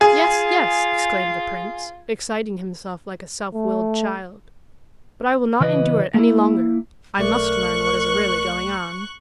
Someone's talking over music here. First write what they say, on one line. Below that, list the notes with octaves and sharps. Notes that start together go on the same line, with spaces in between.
"Yes, yes," exclaimed the prince, exciting himself like a self-willed child; "but I will not endure it any longer, I must learn what is really going on."
F4 G#4
A3
C#3 E3 B4 D#5
A#3 E4
B1 A3 A#4 D5 C#6 F#6